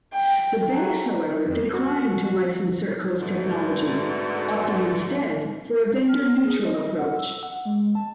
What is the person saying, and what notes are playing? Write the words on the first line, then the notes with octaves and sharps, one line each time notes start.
The banks, however, declined to license CertCo's technology, opting instead for a vendor-neutral approach.
G5
F#3
F2
F#4
G#2 B2 D3 A3
F6
G#4
D#5
F#5
E6
F#5
G#3
A5